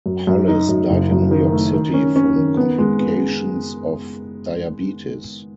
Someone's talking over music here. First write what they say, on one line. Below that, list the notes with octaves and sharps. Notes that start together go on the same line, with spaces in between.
Hollis died in New York City from complications of diabetes.
F#2
F#2
D#4
F#2
F#1
F#2
D#3
A3
D#3
C#4
C#4
D#3
B3
G#3
B3